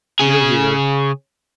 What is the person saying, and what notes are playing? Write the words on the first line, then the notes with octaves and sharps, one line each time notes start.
You're here!
C#3 G#4